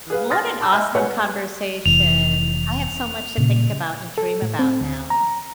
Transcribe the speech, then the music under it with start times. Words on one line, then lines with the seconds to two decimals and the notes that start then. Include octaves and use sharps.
well what an awesome conversation. I have so much to think about and dream about now.
0.10 G#4 B4 F5
0.30 C6 D#6 F6 A6 A#6
0.60 A5 C6 D6 E6 G6
0.72 D#5 E5 G#5 F6 G6
0.95 B2 B3 B4 C#5 F#5 G#5
1.86 F1 E3 F7
3.38 A#2 C#3
4.18 A4
4.42 A2
4.59 C4
4.81 D2
5.10 A#5